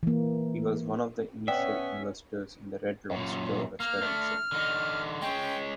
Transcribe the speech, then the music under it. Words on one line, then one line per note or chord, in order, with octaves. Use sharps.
He was one of the initial investors in the Red Lobster restaurant chain.
E3 A#3
B3 C#4 D5 E5 G5
F#2 A#2
A#3 F6
A3 D4
D3 D#4
G#3 C#4 G5